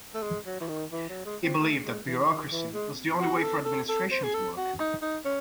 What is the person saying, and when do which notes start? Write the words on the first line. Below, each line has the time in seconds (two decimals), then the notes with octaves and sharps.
He believed that bureaucracy was the only way for administration to work.
0.14 A3
0.23 G#3
0.46 F#3
0.60 E3
0.69 D#3
0.92 E3
1.09 F#3
1.25 G#3
1.43 C4
1.61 A3
1.83 G#3
2.06 E3
2.28 D#3
2.51 E3
2.74 G#3
3.20 F#4
3.37 G#4
3.43 A4
3.65 A4
3.88 A4
4.11 C5
4.23 G#4
4.34 A4
4.57 F#4
4.80 D#4
5.02 D#4
5.25 C#4